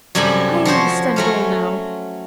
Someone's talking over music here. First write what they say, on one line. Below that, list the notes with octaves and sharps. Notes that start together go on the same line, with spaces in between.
I understand it all now.
F#2 C3 G3 A4 G#5 B5
F3 F#4 C5 C#5
F#3 A3 C#4